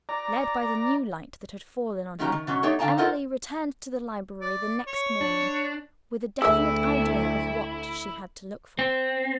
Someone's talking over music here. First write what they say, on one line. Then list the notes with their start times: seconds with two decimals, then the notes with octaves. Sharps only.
Led by the new light that had fallen on her, Emily returned to the library the next morning with a definite idea of what she had to look for.
0.09 D5 A#5
2.19 A#2 D#3 F#3 C#4 G4 A#5
2.32 D#3
2.47 B2 F#3 C#4
2.63 A3 B3 D#4 G4 C#5
2.79 D3 F5 G5 A5 A#5
2.98 F4 A4 A#4 C5 D#5 F#5
4.41 D5
4.88 C#5
5.21 D4
6.42 D2 A3 E4 G#4 E5 E6
8.79 C4